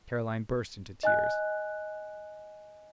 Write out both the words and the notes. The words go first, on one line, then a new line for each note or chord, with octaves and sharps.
Caroline burst into tears.
D#5 G#5 F#6